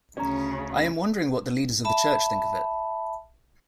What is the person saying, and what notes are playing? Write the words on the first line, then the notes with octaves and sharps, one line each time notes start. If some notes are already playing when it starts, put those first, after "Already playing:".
I am wondering what the leaders of the Church think of it.
D2 C#3 C#4 D5 A#5
E5 A5 B5